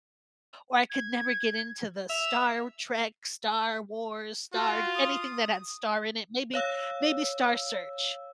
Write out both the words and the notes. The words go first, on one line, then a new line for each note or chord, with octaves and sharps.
or I could never get into the Star w Trek, Star Wars, Star anything that had star in it, maybe maybe Star Search,
G#6
E5 F7
F4 F#4
D#6
C#5 F5 E6